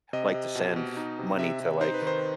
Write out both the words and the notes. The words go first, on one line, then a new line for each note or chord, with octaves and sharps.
liked to send money to, like,
C3 D#5
C3
B2
B2
D#4
C3
C3 E5
C3
D#4 C5
B4
D#3 C5